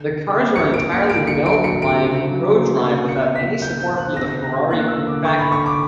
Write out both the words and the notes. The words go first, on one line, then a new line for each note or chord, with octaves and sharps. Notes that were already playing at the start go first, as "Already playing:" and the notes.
The cars were entirely built by Prodrive without any support from the Ferrari factory.
Already playing: D3
D3
A#3
C#7
A#3
D7
A#3 C#7
D7
D3
C#7
F#3 D7
C#7
D3
D7
C#3
F#3
A#3
C#3
B2 C#7
A#3 B6
B2 G6
G6
B2
F#6
D3 A#6
D3 A#6
A#3 F#6
E6
D3
D6
D3 C#6
B5
D3 C#6
D6